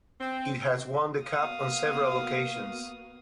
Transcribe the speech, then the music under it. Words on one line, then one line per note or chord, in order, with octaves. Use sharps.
It has won the cup on several occasions.
C4
A#3 B3 F#4 F5 D#6